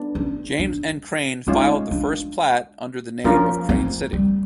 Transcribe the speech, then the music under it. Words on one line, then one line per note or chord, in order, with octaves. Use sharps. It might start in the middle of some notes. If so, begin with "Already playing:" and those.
James M. Crain filed the first plat under the name of Crain City.
Already playing: B3 D4
C#4
D4
G#3 C#4 D#4 F4
D4
F3 A#3 C#4 D4 F4 A#4
C4
G3